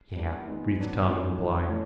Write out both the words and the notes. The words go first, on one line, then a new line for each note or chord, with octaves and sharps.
"Yeah," breathed Tom in reply.
E3 G3 A#3 D4
D#3 G#3 B3 D#4
D#3 F#3 B3 D4
D#3 G#3 C#4 F#4
C3 D#3 F#3
A2 E3 A3 C#4